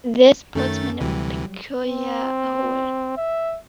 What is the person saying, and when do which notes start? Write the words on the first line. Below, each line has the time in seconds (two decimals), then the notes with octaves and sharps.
This puts me in a peculiar hole.
0.55 F#2 D#3 A3 C#4 A4 A6
1.01 D2 C3 E3 F#3 G3
1.81 C4
3.17 E5